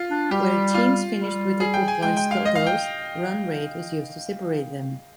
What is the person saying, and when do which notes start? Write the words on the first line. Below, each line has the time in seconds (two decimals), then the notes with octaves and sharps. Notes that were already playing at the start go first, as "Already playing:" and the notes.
Where teams finished with equal points totals, run rate was used to separate them.
Already playing: F4
0.10 D4
0.31 G3 G4
0.74 F4
1.17 G3
1.60 G#4
1.74 G5
1.88 G#5
2.02 G#3 G5
2.17 G5
2.31 F5
2.45 D#5
2.55 F5
2.67 G5